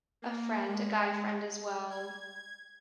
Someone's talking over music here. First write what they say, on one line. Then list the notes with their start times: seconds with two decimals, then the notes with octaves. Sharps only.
a friend a guy friend as well
0.22 A#3
0.69 G#3
1.90 G#6